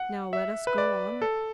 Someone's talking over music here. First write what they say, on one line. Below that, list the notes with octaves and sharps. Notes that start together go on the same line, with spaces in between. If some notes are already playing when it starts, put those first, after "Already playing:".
Now let us go on ...
Already playing: F#5
E5
B4
D5
A4